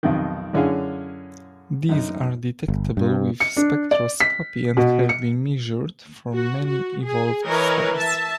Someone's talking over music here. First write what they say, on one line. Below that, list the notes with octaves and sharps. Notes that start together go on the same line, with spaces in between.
These are detectable with spectroscopy and have been measured for many evolved stars.
B1 F2 C3 D#3
F#2 D3 C#4 E4 G#4 F5
F#2 D#4
G1
G2
C#7
D4
D5
B6
B2
C#7
F#4
F#4
G#4
E3 A#4 B4 C#5 D#5
E5 A5